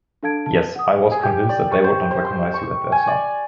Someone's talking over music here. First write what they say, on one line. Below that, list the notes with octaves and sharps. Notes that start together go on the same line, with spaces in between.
Yes, I was convinced that they would not recognize you as their son.
D4 A4 F5 A5 G#6 D7
A5
F#5 D#6
G#4
G4
D5
C#6
C5
C5
C6
C#6
G#5
D5